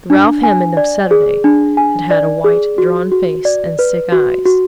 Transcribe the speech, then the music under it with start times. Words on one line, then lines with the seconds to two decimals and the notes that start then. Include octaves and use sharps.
The Ralph Hammond of Saturday had had a white, drawn face and sick eyes.
0.10 D4
0.43 G#5
0.77 D5
1.11 G#4
1.44 D4
1.77 G#5
2.11 D5
2.44 G#4
2.78 F#4
3.12 F#4
3.45 D5
3.79 B4
4.12 F#4
4.46 F#4